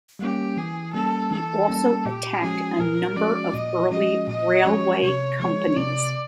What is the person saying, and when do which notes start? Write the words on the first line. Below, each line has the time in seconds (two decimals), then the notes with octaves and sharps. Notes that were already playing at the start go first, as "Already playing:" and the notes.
He also attacked a number of early railway companies.
0.19 G3 A#3 C#4 G4
0.57 E3 G#4
0.93 G3 A#3 C#4 A4
1.31 E3 A4
1.68 G3 A#3 C#4
2.05 A#2 G4
2.42 F3 G#3 C#4 F#4 G#4
2.79 A#2 A#4
3.16 F3 G#3 C#4 F#4 D5
3.54 A#2 D#5
3.90 F3 G#3 C#4 F#4 D#5
4.28 A#2 D#5
4.65 F3 G#3 C#4 F#4 C#5
5.02 C3 C#5
5.39 F3 G#3 C#5
5.76 C3 D5